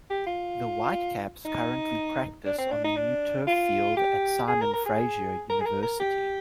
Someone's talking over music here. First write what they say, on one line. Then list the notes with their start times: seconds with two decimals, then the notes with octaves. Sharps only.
The Whitecaps currently practise on the new turf field at Simon Fraser University.
0.10 G4
0.26 F4
1.45 D#4
2.45 D4
2.58 C4
2.71 D4
2.84 D#4
2.96 D4
3.47 F4
3.97 G4
4.48 G#4
4.61 A#4
4.73 A#4
4.85 G#4
5.49 A#4
5.60 G#4
5.65 A#4
5.82 A#4
5.99 G4